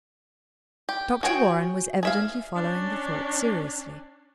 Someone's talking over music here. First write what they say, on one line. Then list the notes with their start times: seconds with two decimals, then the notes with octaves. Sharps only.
Dr. Warren was evidently following the thought seriously.
0.89 G4
1.23 F#4 G#4 C#5 G5
2.03 G#4 E5 F5
2.55 C#4 D4